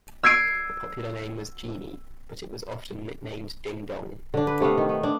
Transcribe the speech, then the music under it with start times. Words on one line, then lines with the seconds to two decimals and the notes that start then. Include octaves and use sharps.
The popular name was "Genie", but it was often nicknamed "Ding-Dong".
0.23 E6 G#6 C7 D7 D#7
4.34 D3 D4
4.47 B4
4.60 C3 A3 B3 F5
4.77 D#3
4.89 B3
5.03 D4